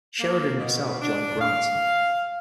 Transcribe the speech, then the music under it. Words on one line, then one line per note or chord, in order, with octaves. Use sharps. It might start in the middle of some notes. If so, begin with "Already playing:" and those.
Sheridan himself joined Grant.
A#3
B2
D4
F5